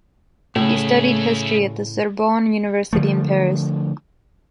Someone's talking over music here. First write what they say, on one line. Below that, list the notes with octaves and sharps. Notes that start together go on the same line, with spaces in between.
He studied history at the Sorbonne university in Paris.
A2 C#3 A3 E4 G#4
D3 F3 A3